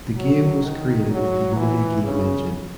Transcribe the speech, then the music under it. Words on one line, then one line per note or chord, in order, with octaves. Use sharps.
The game was created with the Unity game engine.
F#3
D#3
F#3
E3
C#3